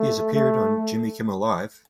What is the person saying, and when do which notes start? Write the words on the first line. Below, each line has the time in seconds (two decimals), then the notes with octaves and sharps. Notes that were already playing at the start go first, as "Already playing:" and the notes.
He has appeared on Jimmy Kimmel Live!
Already playing: A3
0.34 A3